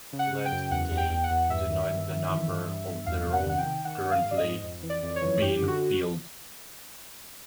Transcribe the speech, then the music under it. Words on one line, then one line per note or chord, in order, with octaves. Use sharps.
Let "k" denote the number of the row currently being filled.
C#3
F#5
C#3
G5
F#2
E2 F#5
E2
G5
E2
F#5
E2
G2 E5
D#3
G2
D#3
E3
G2
G2
G2
E2 F5
C3
F#5
D#3 F#5
G5
D#3
D#3 F#5
D#3
F5
G#2
D5
D#5
G#2
F2
E3
D5
F2
C#5
E3
F#2 G4
D3
F#4